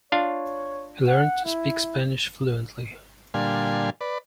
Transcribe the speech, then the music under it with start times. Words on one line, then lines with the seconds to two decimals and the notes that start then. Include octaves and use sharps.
He learned to speak Spanish fluently.
0.12 D4 F4 C#5 F5
1.08 F#5
1.45 E4
3.34 A#2 D3 G3 F5 G#5 C6
4.01 B4 D5